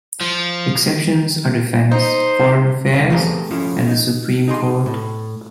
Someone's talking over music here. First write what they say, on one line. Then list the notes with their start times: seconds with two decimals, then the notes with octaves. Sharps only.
Exceptions are defence, foreign affairs, and the Supreme Court.
0.21 F3
1.91 D#4 C5
2.92 C2 D5 F5
3.10 A3 B3 C4 G4 G#4 A#4
3.51 F3 A3 C#4 E4
3.87 D#4
4.48 D#4 G#4 C6
4.86 A2